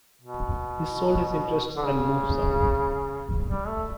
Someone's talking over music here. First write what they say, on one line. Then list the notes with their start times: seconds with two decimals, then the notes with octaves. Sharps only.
He sold his interests and moved south.
0.22 B2
1.76 D3
1.85 C#3
3.47 G3
3.68 A3